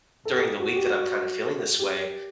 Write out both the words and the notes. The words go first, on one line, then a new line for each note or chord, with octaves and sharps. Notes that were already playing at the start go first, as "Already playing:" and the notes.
during the week that I'm kinda feeling this way.
A4
G4
F#4
G4
F#4
G4